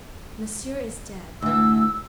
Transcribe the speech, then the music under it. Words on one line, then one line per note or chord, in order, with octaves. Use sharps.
"Monsieur is dead."
D2 E3 E6